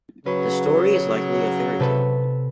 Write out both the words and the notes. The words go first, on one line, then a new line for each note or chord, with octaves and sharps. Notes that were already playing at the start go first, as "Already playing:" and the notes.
The story is likely a fairy tale.
C#3 F#3 B4
C3 A4 B4